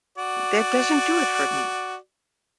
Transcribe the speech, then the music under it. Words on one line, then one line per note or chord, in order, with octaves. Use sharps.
that doesn't do it for me.
F#4 D5